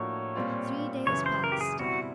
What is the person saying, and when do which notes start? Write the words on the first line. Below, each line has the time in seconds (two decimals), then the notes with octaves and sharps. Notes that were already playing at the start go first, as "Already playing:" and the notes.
Three days passed.
Already playing: A2 F3 A#3 D4 F#4 C#5
0.35 A#2 G3 C4 F4
1.07 F#2 C#3 E3 C#5
1.26 C5
1.44 A#4
1.52 G4
1.61 G#4
1.79 B2 G3 C4 E4 F#4